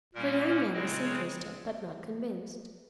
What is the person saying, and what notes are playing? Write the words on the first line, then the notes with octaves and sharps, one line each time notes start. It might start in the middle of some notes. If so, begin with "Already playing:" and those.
The young man was interested, but not convinced.
A#2 G3 A#3 C#4 A#4
C5
C#3 G#3 C4 D#5
C#5